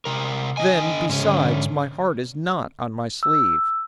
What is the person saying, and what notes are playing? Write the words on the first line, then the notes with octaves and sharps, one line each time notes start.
Then, besides, my heart is not on my sleeve.
C3 A#4
D3 D#5 G5 G#5
G#2 C#3 C#4
D3
E6